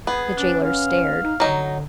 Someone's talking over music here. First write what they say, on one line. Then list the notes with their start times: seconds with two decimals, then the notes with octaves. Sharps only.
The jailer stared.
0.07 B3 G#4
0.37 C#4 D4
0.64 F5
1.24 D#4
1.40 D3 F#3 D#4